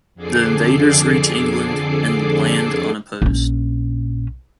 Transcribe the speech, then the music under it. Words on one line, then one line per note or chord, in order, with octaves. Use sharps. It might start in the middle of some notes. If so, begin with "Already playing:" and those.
The invaders reach England, and land unopposed.
F2 D3 G#4 A4 D6 C7
A#1 C#4